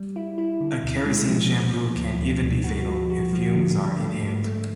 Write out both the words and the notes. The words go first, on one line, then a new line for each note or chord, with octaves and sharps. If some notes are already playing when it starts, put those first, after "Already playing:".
A kerosene shampoo can even be fatal if fumes are inhaled.
Already playing: G3
E4
E4
D3
D2
G#3
F3
F3
F3
D2
D2
D2
F#4
F3
F#4
F3
D3
F3
A3
G#2
A3